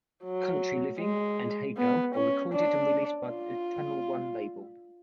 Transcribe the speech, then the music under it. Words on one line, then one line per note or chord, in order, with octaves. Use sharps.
"Country Living" and "Hey Girl" were recorded and released by the Channel One label.
F#3
G#3
B3
C#4
D4
F4